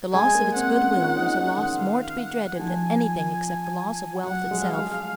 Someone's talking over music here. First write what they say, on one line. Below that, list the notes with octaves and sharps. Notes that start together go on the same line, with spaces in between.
The loss of its good-will was a loss more to be dreaded than anything except the loss of wealth itself.
G#3 G#5
A#3
C4 F#5
C#4
F4
D#4
C#4
D#3
F5
F#5
F3 G#5
F#3 F#5
G#3
F5
G#3